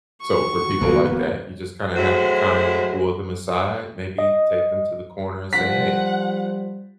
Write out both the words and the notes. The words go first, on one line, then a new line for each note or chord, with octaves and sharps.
So for people like that, you just kinda have to kindly pull them aside, maybe take them to the corner and say, "Hey,"
D#3 F#4 C#6
D1 E3 G#3 A#3 B3
A2 F#3 G#3 E4 F#4 C5
D#5
F3 G3 C5 F#5 B6